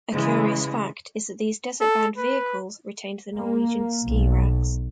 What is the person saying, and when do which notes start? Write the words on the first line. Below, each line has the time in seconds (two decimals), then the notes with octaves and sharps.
A curious fact is that these desert-bound vehicles retained the Norwegian ski-racks.
0.13 C#3 E3 G#3
1.81 A4
2.18 B4
3.37 A#3
4.07 B1